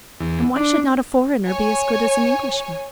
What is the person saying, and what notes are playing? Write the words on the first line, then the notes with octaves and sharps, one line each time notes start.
And why should not a foreigner be as good as an Englishman?
E2
D4
C#5 G#5